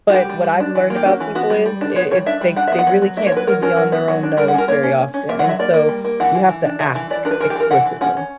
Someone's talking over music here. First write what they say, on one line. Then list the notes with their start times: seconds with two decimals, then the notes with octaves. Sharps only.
but what I've learned about people is it it they they really can't see beyond their own nose very often, and so you have to ask explicitly.
0.10 F#4
0.14 G3 G4
0.29 G3
0.44 G3
0.60 D4
0.75 E3
0.90 A#3
0.96 G4
1.05 C#4 F#4
1.20 E3
1.35 B3 F#4
1.50 G3
1.66 G3
1.81 D4
1.96 B3 C#5
2.11 G3 C#5
2.26 D4 E5
2.41 G3
2.56 D4 F#5
2.68 B3 E5
2.79 F#5
2.87 F#3
3.02 F#3
3.17 A#3 E5
3.27 C#5
3.32 F#3 B4
3.47 F#3 A#4
3.62 C#4 A#4
3.77 F#3
3.92 B3
4.08 F#3
4.23 D4
4.37 G3 A#4
4.48 F#5
4.54 C#4 A#4
4.68 A#3 C#5
4.83 C#4
4.98 C#4
5.14 C#4
5.29 A#3 E5
5.39 F#5
5.44 F#3
5.49 E5
5.59 A#3 D5
5.74 A#3
5.89 G3
6.05 A#3
6.20 E3 F#5
6.35 E3
6.49 E3
6.65 D4
6.80 E3 E5
6.95 E3
7.10 E3 D5
7.25 D4 A#4
7.31 B4
7.40 E3 A#4
7.50 G4
7.56 E3 A#4
7.71 E3 F#5
7.86 E3
8.01 C#4 F#5
8.17 C#4